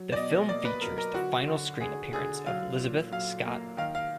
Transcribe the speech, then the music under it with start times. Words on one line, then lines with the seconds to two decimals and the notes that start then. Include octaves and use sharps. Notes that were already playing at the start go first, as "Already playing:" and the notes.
The film features the final screen appearance of Lizabeth Scott.
Already playing: F#3
0.12 D5
0.16 B2 D#5
0.48 A#3 D5
0.65 B4
0.81 F#3 A#4
0.98 A#4
1.14 D3 F#4
1.48 D3
1.80 D3 G#4
2.13 D3 G#4
2.46 F#3 F5
2.79 A#2
3.11 F#3 F5
3.45 A#3
3.77 D#3 F5
3.95 F5